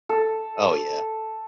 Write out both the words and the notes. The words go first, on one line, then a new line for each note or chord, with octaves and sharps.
Oh, yeah.
A4